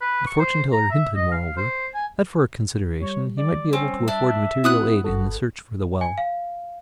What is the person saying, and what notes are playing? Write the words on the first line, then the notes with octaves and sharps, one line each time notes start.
The fortune-teller hinted, moreover, that for a consideration he might be able to afford material aid in the search for the well.
B4
C#6
C5
A#5
E5
D#5
F5
C5
G#5
G3 C#5
D5
C4 C#4
D4 E5
B3 C4 E4 D#6 F#6
G1 F#4 A4
G#5
F5